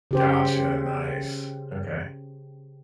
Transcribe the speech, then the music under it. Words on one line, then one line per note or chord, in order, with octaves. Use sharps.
Gotcha, nice, okay.
C#3 G4 C5